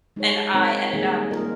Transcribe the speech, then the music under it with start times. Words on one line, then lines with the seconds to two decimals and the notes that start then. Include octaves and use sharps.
and I ended up
0.16 G#3 D#4 G#4 C#5
0.54 G#3 C4 D#4 A#4 C#5
0.93 D#3 G3 A#3 D#4 G#4
1.31 A#3 F4 A#4 D#5